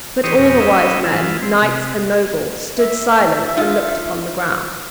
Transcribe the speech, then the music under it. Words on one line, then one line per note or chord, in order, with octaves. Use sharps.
But all the wise men, knights and nobles, stood silent and looked upon the ground.
E3 D#4 G4 C5 C#5 D#6
F2 B2 G4 A#4 C#6 D#6
C#4 D#4 D#5 E5 B5
E3 E4 F4
C4
C3
E5
D#4 F4